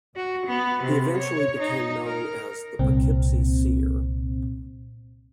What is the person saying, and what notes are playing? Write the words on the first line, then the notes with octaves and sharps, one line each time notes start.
He eventually became known as "the Poughkeepsie Seer".
F#4
B3
C3
C#5
D#4
A#4
C2 A#2 C4